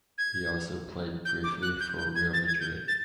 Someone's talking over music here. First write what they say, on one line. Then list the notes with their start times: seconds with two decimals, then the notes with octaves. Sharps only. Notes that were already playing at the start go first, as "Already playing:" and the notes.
He also played briefly for Real Madrid.
0.18 G#6
1.25 G6
1.44 D6
1.62 F#6
1.80 G6
1.98 G6
2.15 G#6
2.33 A6
2.47 G#6
2.60 G6
2.88 A6